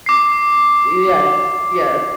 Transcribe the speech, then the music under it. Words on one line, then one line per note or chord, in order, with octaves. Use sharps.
Yes. Yes.
D6 C7